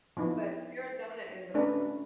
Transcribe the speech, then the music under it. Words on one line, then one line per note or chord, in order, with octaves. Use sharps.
but Arizona is a pla
F3 B3 D#4 E4
A3 C#4 D4 B4